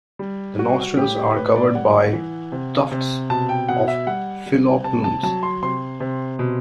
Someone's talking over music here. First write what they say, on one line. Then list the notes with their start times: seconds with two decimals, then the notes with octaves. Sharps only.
The nostrils are covered by tufts of filoplumes.
0.19 G3
0.59 G3 F#4
0.97 A2 G4
1.16 G4
1.36 A2 B4
1.56 D5
1.74 G3 F#5
2.13 E3
2.52 C3
2.92 C3
3.30 B2 A5
3.49 G5
3.69 B2 F#5
3.88 E5
4.07 G3 F#5
4.46 G3
4.84 C3 A5
5.04 A5
5.23 F#3 A5
5.43 C6
5.62 C3 C6
6.00 C3
6.39 B2